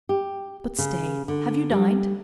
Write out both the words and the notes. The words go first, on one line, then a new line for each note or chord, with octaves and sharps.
"But stay--have you dined?"
G4
C#3
D3
G3